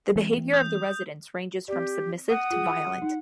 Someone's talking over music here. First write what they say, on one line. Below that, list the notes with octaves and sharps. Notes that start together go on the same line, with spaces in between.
The behavior of the residents ranges from submissive to violent.
E3 A3 C4
D#6 G6
C4 G4 D5
F#5 D#6
F4 G#4
D#4